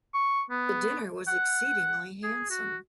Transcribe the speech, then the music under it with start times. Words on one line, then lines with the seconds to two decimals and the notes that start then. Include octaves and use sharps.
The dinner was exceedingly handsome.
0.14 C#6
0.50 B3
1.27 F#5
2.23 G#4
2.50 F#4